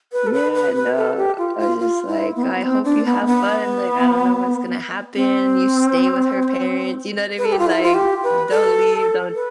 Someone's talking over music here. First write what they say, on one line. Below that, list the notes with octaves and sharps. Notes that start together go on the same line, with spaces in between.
Yeah, no, I was just like, "Oh, I hope you have fun, like, I don't know what's gonna happen. You stay with her parents." You know what I mean? Like, "D don't leave, don't
B4
A4
B4
B4
B4
A4
G4
F4
F4
F4
E4
B3
C4
B3
C4
D4
B3
B3
C4
B4
A4
G4
F4
E4
F4
G4
B4
A4
B4